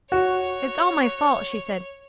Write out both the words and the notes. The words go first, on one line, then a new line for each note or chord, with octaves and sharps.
'It's all my fault,' she said.
F#4 C#5